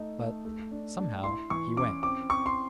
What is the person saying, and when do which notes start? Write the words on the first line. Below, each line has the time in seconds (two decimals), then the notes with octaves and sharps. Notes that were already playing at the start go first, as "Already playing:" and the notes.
But, somehow, he went.
Already playing: A3 D#4
0.19 A3
0.45 A3
0.71 D4
0.98 D4
1.24 E4 C6
1.50 E3 C#6
1.77 C#4 D6
2.03 C4 D6
2.30 C4 C#6
2.46 C6